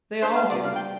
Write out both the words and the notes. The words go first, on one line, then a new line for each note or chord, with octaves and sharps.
They all do.
D4 C5
F5
G3
D5
D4 F5
G5